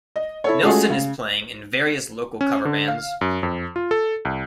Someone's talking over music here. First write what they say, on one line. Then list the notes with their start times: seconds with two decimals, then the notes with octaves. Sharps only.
Nelson is playing in various local cover bands.
0.16 D#5
0.44 E4 A4 C#5
0.63 G#3 A3 C#4 F4 F#4 G#4
0.90 C#3
2.41 C#4
2.65 D3
2.88 F5
3.21 F#2
3.43 F2
3.76 F4
3.91 A4
4.25 C2